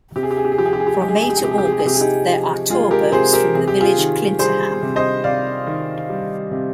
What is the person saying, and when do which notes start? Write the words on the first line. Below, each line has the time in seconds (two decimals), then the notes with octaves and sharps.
From May to August there are tour boats from the village Klintehamn.
0.16 C3 G4
0.23 G#4
0.31 G4
0.37 G#4
0.45 G4
0.52 G#4
0.58 F3 G4
0.66 G#4
0.73 G4
0.80 G#4
0.87 G4
0.94 G#4
1.01 G#3 G4
1.08 G#4
1.16 G4
1.22 G#4
1.30 G4
1.37 G#4
1.43 C3 G4
1.51 G#4
1.58 G4
1.65 G#4
1.73 G4
1.79 G#4
1.85 C3 G4
1.94 G#4
2.01 D#4 G4
2.28 F3
2.70 G#3 F4 G#4
2.91 G4 A#4
3.12 C3 G#4 C5
3.33 G4 A#4
3.55 C3 G#4
3.68 G4
3.80 F4 G#4
3.98 D#3
4.39 G3 G#4 C5
4.82 C3
4.96 C5 D#5
5.24 C3 D5 F5
5.67 D#3
6.09 G3
6.51 C3